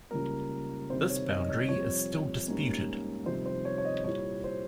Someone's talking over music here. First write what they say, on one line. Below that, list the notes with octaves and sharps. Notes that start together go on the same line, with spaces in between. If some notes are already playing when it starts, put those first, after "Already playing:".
This boundary is still disputed.
C#2 C#3 G3 A#3 A#4
C3 D#3 G3 C4 C5
C#5
D#5
C#5
F2 C3 G3 C4 C#5
G#2 G3 A#3 C#4
F2 C3 D#3 G3 C5
C5
C#5
C#5
D#5
C2 A#2 G3 C#5
C5